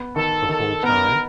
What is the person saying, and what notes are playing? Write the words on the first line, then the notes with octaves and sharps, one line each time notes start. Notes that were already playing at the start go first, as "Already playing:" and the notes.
The whole time?
Already playing: B3
D#3 A4
D#3 A4
B3 A#4